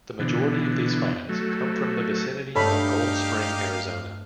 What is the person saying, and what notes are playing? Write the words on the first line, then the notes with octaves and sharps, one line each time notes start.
The majority of these finds come from the vicinity of Gold Spring, Arizona.
B2 D3 E3
F#3 A3
G2 A3 D#4 G4 A4 C#5 F5 B5